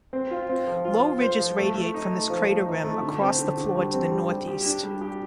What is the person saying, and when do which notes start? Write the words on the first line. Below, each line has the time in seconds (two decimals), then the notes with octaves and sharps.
Low ridges radiate from this crater rim across the floor to the northeast.
0.13 C4
0.31 F4
0.49 C4
0.67 F3
0.85 F4
1.03 F4
1.21 C5
1.39 F3
1.58 A3
1.75 A3
1.94 D#4
2.12 A3
2.30 F3
2.49 A3
2.66 D#4
2.84 A3
3.03 D3
3.21 C4
3.39 D3
3.57 D3
3.75 G3
3.93 C4
4.12 G3
4.30 G3
4.47 G4
4.66 D4
4.84 G3
5.02 G4